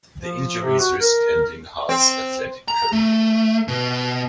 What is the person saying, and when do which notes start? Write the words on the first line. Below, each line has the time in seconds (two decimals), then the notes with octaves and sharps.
The injuries risked ending Hart's athletic career.
0.19 F3
0.63 C3
0.79 F#4
1.00 A#4
1.89 C4
2.68 A#5
2.93 A3
3.68 B2